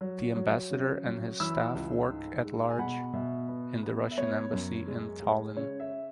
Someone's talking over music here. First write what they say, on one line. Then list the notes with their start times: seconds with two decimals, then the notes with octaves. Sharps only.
The ambassador and his staff work at large in the Russian embassy in Tallinn.
0.01 F#3
0.36 F#3
0.71 C#3
1.06 F#3
1.40 E3 B5 E6
1.75 C#2
2.10 G#2
2.44 G#3
2.70 G#5
2.79 B2 F#5 B5
3.13 B2 E5
3.48 B3
3.83 B3
4.11 E5
4.17 B3 C#5
4.52 F#2
4.87 G#3
5.22 G#3
5.56 C#3 C#5
5.80 E5